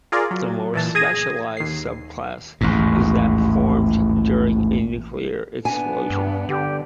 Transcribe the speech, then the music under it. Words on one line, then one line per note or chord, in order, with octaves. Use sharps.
A more specialised subclass is that formed during a nuclear explosion.
F4 G#4 A#4 D5
F#3
A#2 E3 A5
G#4 D#6 G#6 A#6 D#7
D#2 C7
A1 D#2 G#2
B3 D4 G#5
G2
D3 G4